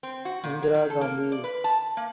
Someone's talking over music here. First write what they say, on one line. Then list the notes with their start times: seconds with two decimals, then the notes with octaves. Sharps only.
Indira Gandhi.
0.03 C4
0.25 F#4
0.44 A#2
0.63 F#3
0.74 D#3
0.90 A4
1.01 A#3
1.32 D5
1.44 B4
1.64 A5
1.97 A#3